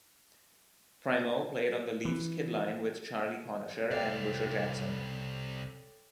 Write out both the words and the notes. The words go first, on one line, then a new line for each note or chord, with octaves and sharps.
Primeau played on the Leafs' Kid Line with Charlie Conacher and Busher Jackson.
E3
C2 A4 C#5 D5 F5 G5